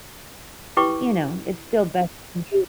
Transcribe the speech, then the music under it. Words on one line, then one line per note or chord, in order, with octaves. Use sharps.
you know, it's still best that you
E4 G4 B4 G5 C#6 D6